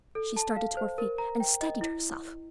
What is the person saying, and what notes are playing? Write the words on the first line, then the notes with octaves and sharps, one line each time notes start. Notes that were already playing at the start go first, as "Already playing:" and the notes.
She started to her feet, and steadied herself!
A4
A5
F5
C5
A#4
A#5
G5
D#5
E4